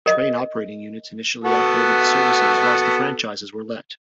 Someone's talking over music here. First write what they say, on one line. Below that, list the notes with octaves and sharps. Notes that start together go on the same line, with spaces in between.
Train Operating Units initially operated the services whilst the franchises were let.
A#4 D#5
B3 F#4 A4